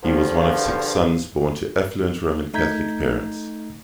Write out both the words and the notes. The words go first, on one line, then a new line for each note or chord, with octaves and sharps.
He was one of six sons born to affluent Roman Catholic parents.
E2 G2 D3 F3
A3 D#4 A#5 G6 G#6 B6